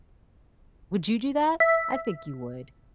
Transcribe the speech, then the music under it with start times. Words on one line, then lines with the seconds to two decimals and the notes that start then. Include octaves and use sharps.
Would you do that? I think you would.
1.60 E5